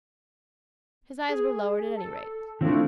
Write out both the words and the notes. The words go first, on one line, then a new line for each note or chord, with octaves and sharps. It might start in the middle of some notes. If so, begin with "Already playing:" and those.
His eyes were lowered, at any rate.
G#4
A4
D#3 A3 C4 D4 E4 F4